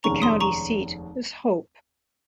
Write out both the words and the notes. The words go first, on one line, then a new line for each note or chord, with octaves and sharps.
The county seat is Hope.
F1 D#2 D#3 G#3 C#4 A#5 C#6
C6 D#6
A#5 C#6